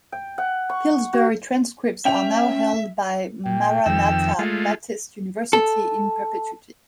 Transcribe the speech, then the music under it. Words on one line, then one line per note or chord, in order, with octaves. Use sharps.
Pillsbury's transcripts are now held by Maranatha Baptist University in perpetuity.
G5
F#5
C#6
F#4
C#4 E5 G5 F7
A#2 G5
F2 D#3 E6
G#3 A3 F4
A4